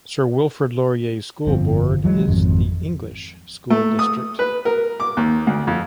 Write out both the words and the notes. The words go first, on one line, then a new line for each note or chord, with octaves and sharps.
Sir Wilfrid Laurier School Board is the English school district.
G1 F2 F3 C4
E3 F#3 G#3
G#1 F2
A3
D#6
B4
A#4
D6
D#2
D2
F2